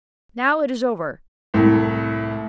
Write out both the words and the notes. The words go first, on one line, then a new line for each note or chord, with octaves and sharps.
Now, it is over!
C2 A2